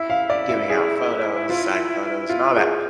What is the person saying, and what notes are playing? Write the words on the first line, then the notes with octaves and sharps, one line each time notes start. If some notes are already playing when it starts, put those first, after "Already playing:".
giving out photos, signed photos and all that,
Already playing: E4 E5
F5
D5
E5
G#4
F4
F4
G#4